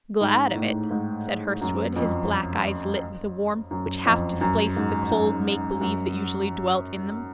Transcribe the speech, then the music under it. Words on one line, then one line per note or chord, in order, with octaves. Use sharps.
"Glad of it," said Hurstwood, his black eyes lit with a warmth which half displaced the cold make-believe that usually dwelt in them.
G#2
A2
G#2
F#2
F2
F#2
F2
F#2
G#2
F#2
F#2